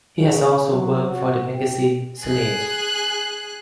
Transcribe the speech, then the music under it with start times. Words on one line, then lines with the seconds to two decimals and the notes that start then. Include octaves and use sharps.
He has also worked for the magazine "Slate".
0.18 C#3
0.69 F#3
1.10 F#4
1.54 G4
2.23 G#4 F#6